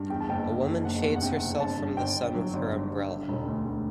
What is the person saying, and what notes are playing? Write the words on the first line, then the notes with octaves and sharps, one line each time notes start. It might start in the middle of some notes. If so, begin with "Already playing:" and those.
A woman shades herself from the sun with her umbrella.
Already playing: G2
E2 G5
A5
F#1 G5
F#1
F#1
F#1 F#5
E2
F#5
C3 G5
F#1
G1 A5
G2
G1 G5
G1
F#3
G1
G2
G2
D3
E1
D2
D2